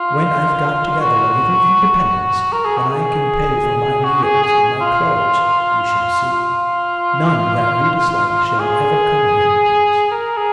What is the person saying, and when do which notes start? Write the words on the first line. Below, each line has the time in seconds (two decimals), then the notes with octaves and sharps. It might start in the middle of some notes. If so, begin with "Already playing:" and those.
When I've got together a little independence, when I can pay for my meals and my clothes, you shall see; none that you dislike shall ever come here, dearest.
Already playing: F4
1.01 F#4
2.52 A#4
2.65 G#4
2.78 F#4
2.91 G#4
4.04 F#4
4.23 G#4
4.43 G#4
4.81 F4
6.33 F4
8.60 G#4
10.12 A#4
10.37 G#4